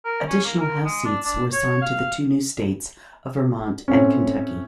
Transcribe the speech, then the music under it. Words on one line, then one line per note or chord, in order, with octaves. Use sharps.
Additional House seats were assigned to the two new states of Vermont and Kentucky.
A#4
C#4
A#3
A#4
G#3
D4
D4
C#5
F5
A2 C4 C#4